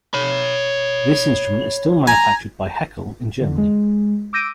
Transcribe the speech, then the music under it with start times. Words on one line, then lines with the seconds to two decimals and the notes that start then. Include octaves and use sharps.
This instrument is still manufactured by Heckel in Germany.
0.14 C#5 B5
2.07 G#5 A#5
3.41 D3
3.58 G#3
4.33 D6 E6 G6 A#6 D7 D#7